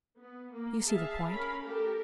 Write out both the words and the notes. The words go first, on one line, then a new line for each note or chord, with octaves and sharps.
You see the point.
B3
A#3
G#4 E5 F5 A5
C#4 A#4 F5 B5
A3 G4 A4 A#4